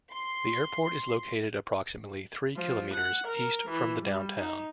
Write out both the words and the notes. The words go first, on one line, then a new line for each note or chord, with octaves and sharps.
The airport is located approximately three kilometers east from the downtown.
C6
F3
F#5
A#4
E3
G3
D#4